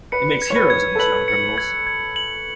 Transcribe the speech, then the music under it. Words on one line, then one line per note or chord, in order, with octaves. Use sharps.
It makes heroes of its young criminals.
B4 C#7
G#6
C#5
B4
G#6
A4
B4 F#7
C#7
G#6
G#6
F#7